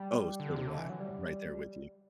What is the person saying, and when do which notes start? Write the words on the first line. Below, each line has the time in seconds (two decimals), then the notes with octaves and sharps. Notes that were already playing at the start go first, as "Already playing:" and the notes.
Oh, so do I, right there with you.
Already playing: G3
0.40 D3
0.56 C3
0.67 D3
0.78 E3
0.89 F#3
1.00 G3